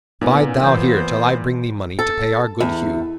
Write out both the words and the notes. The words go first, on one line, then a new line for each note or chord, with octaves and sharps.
Bide thou here till I bring thee money to pay our good Hugh.
A#2 B3 C#4 D#4
E3 B3 C5 D#5 F5 G6
A4
E2